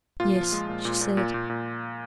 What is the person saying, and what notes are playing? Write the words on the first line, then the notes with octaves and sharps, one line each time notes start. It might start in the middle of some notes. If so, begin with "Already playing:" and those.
"Yes," she said.
A#2 F4
F3
G#3
A#2
A#2
A#2
A#2
A#2
A#2